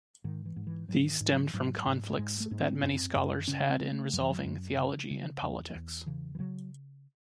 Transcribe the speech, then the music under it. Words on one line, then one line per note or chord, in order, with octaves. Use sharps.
These stemmed from conflicts that many scholars had in resolving theology and politics.
G#2 D#3
E3
G#2
E3
G#2 F#3
D#3
G#2
F#3
E3
G#2 F#3
G#2
G#2 G#3
A3
G#2
C4
F#2 C4
F#2
C#3 C#4
C4
C#3
A3
F#2 F#3
E3
F#3
F#2
C#3
C#3
E2
E2
C#3 E3
E3
C#3 F#3